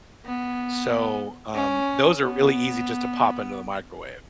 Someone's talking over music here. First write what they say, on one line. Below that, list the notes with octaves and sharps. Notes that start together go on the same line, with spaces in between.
so, um, those are really easy just to pop into the microwave.
B3
C#4
B3